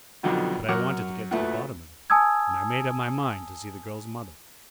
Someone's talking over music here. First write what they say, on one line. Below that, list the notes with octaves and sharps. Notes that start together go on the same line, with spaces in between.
But I wanted to get to the bottom of it, and I made up my mind to see the girl's mother.
B1 F2 B2 D3 D#3
F#2 A#4 F#5 C#6 D6 F6
D2 A#2 A3 E4 B4 A5
G#5 A5 D#6 E6 G#6